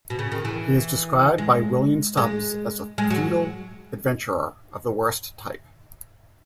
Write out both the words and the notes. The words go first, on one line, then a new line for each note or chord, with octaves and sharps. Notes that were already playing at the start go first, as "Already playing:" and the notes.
He is described by William Stubbs as "a feudal adventurer of the worst type".
B2
C#3
D#3
E3
G#3
G#3
G#3
F#3